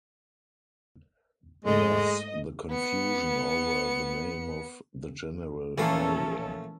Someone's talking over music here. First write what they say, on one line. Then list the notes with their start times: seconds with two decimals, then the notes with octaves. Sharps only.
Thus the confusion over the name of the general area.
1.64 G#2 G#3 A3 D#5
1.95 D#5
2.70 B3 C#7
5.78 A#1 E3 A3 A#3 C#4 A4 F5